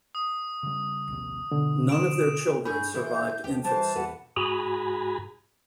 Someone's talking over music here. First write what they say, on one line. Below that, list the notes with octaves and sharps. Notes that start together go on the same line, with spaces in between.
None of their children survived infancy.
D#6
C#3 G3
A#1 D#2 C3
B2 D3
D7 E7
G2 C#4 D4 G#4 B5 G6
E3 E4 G#4
D#2 F3 G4
E3 G3 G4 C5 A5
E2 B4 F#5
G#2 F#4 G#4 G#5 A#5 B5